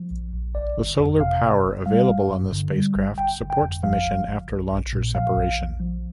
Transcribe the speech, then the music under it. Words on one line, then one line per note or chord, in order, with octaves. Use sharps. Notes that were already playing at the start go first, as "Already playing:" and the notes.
The solar power available on the spacecraft supports the mission after launcher separation.
Already playing: F3
A#1
A#1
G1 D5
G1
F2
C3 F5
G1
G1
G3 F5
G1
G2
D3
G3
G1
G1 G5
G1
G5
F2
F3 F5
G1
G1
A#1
A#1
A#2
F3 F5
A#1
A#1
F3